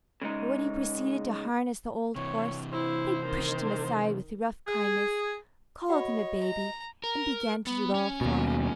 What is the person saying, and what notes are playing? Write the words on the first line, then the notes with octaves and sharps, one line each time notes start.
But when he proceeded to harness the old horse, they pushed him aside with rough kindness, called him a baby, and began to do it all for him.
C#3 G#3 D#4
C3 E3 C#5
E4 C5
D#3
G#4
F#4 C#5 D#5 F#5 B5
A#5
A#4
B3
C#4
D#2 B2